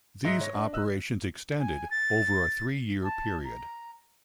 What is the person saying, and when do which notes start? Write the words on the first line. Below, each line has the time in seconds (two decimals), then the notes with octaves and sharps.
These operations extended over a three-year period.
0.24 G#2 D#5 E5 C6 A#6
0.41 C#5 A#6
0.54 D4
0.73 D#5 E6 F#6
1.60 G#5
1.91 A6
3.04 A5
3.44 A#5